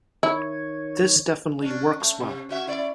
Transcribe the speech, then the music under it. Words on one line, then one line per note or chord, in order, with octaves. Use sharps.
This definitely works well.
D#3 E4 C#5
C#4 D4
A3
C3
C#4 F#4 E5
E4 C#5 D5